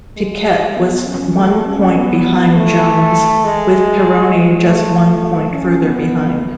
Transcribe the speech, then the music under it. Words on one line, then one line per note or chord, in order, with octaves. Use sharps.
Piquet was one point behind Jones with Pironi just one point further behind.
G#3
G#3
B3
C#4
A3
C#4
B3
A3
G#3
G#3
A3
C#4
B3